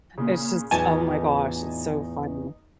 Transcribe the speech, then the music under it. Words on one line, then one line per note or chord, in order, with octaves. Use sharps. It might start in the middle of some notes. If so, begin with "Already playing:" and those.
it's just oh my gosh, it's so funny.
A#2 C#3
E2 A2 D#4 F4 G#5 A5